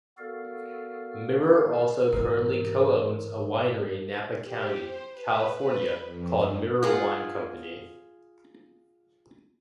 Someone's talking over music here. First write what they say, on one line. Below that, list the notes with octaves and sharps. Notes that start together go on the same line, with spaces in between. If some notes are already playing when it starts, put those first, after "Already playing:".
Mirer also currently co-owns a winery in Napa County, California called Mirror Wine Company.
B3 F#4 A4 A#4 D5 F5
G#2 E3 A#4
G4
C5
B4
B4
F2
G2
F4 G#4 F#5